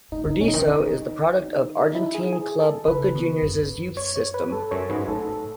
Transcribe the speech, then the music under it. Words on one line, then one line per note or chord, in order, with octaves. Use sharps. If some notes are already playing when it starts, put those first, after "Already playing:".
Burdisso is the product of Argentine club Boca Juniors's youth system.
A2 D#4
G#2 D#4
B2 C#4
D#4
D#3
D#3
D#3
D#4
E4
G#4
G#4
A4
C#3 B4
B2
F#2
C#5
C#5
B4
E2 A4
F#2 C#5
G#2 B4
A2 A4